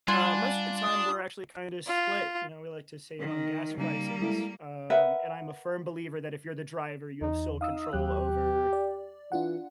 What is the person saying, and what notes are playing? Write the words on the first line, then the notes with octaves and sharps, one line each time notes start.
Uh, most of the time, we're actually kinda split, you know, we like to save on gas prices, um, and I'm a firm believer that if you're the driver, you have sole control over
G3 D4 F4 F#5 G#5
D#6
F4
D#3
C#3 G3 A#3 D#4
G#3 E4 A4
A#4 B4 E5 F#5
E2 D#4
D#4 F5 D#6 E6
D#2 F#3 G4 F#6
D5
E3 D4 F4 F#5